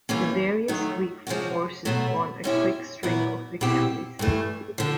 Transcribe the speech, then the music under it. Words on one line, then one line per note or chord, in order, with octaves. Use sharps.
The various Greek forces won a quick string of victories.
E3 G3 A#3 C#4
D#3 F#3 A3
C3 F3 G#3 C#4 F#4
B2 F#3 A3
B2 G#3 C#4 E4 G4
A#2 F#3 B3 E4
B2 G3 C4 E4 G4
G2 E3 A3
D3 F3